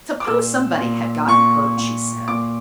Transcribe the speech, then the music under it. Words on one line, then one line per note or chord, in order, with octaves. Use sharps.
"Suppose somebody had gotten hurt," she said.
D6
A#2 E6
A#2
A#2 C#6
A#2
A#2 D6